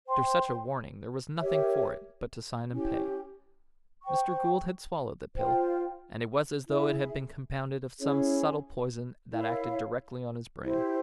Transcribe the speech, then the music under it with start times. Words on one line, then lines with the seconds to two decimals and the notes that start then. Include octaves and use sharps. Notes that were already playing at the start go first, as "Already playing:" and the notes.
After such a warning there was nothing for it but to sign and pay. Mr. Gould had swallowed the pill, and it was as though it had been compounded of some subtle poison that acted directly on his brain.
0.07 C5 G5 C6
1.39 G4 A#4 C#5 E5
2.71 C#4 E4 G4
4.03 C5 G5 C#6
5.36 F4 C5 G5
6.67 E4 G#4 E5
8.00 C#4 E4 G#4 C#5
9.31 E4 A#4 C#5 F5
10.64 E4 G4 C5